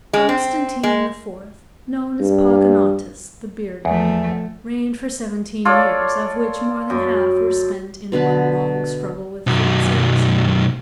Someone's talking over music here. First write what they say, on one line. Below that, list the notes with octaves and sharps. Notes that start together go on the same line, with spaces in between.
Constantine IV., known as Pogonatus, "the Bearded," reigned for seventeen years, of which more than half were spent in one long struggle with the Saracens.
G#3
C4
G#3
G2
E2 F3 A3
F4 A4 C#5 D5
F#2
B2 D3 B4 A5
B1 F#2